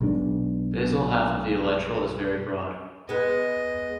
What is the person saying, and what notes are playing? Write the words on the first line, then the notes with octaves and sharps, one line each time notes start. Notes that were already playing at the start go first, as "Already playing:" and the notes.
Basal half of the elytral is very broad.
B1 B2 G#3 D4
G#3 B3 D#5